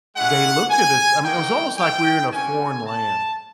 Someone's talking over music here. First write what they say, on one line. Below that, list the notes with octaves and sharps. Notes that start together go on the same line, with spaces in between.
they looked at us I mean, it was almost like we were in a foreign land.
G#3 C#4 E4 G4 F#5
G#5
A#3 D#4 F#4 G5
G5
G3 A#3 C#4 F#4 G#5
A5